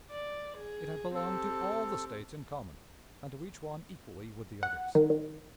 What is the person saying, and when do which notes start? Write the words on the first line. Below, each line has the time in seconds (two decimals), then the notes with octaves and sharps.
It had belonged to all the States in common, and to each one equally with the others.
0.11 D5
0.58 G#4
1.15 C4 G4 A4
4.63 F#5
4.95 D#3
5.10 D#3